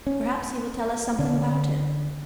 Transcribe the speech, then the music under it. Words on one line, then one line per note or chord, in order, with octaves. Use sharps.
"Perhaps he will tell us something about it."
C#4
D3 C#4 D4